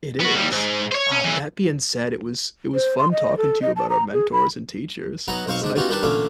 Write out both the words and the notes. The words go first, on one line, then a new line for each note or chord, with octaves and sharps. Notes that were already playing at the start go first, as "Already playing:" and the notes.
It is. Uh, that being said, it was it was fun talking to you about our mentors and teachers. It's nice chatting
B3 F#4
D#2 G3
G#2
C5 C#5
C#4
B1 E3
C5
C6
D#5
A4
D#5
A5
A#5
G#4
B5
F#3 B3 D#4 B4 F#5 A#5
B1 C4 C5 F5 C#6
G#2 D4
G3 B3 C#4 D#4 F4 F#4
D#3 G3 D4 G4 B4
A1 A#2 D3 C#4 F5 D6